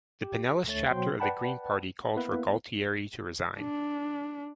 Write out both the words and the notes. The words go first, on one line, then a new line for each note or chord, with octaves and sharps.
The Pinellas chapter of the Green Party called for Gualtieri to resign.
G4
D2 A3 C#5 A6
B2 F#3 C5 G5 C6
B4 D5 F#5 G5 A5 B5
A#3 B3 E4 B4
D4